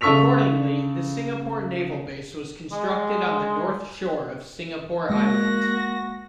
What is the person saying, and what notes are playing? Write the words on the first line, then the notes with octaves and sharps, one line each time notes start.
Accordingly, the Singapore Naval Base was constructed on the north shore of Singapore Island.
C#3 A4 C#6 E6 B6 F7
G#3
G#3 A#3 F#4 A#6